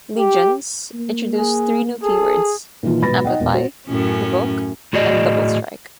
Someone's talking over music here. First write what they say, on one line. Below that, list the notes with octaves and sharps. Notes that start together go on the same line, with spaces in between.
"Legions" introduced three new keywords: amplify, provoke, and double strike.
G4
A#3
G#4
G#4 A4
A#2 D#3 E3 A#3 F4
G#2 B2 B4 B5 A6 A#6
D#4 D#5 F#5 G5
E1 A#2 A#3
F#4 C5
F#2 A2 C#4
A2 F#4 G#4 D5 D#5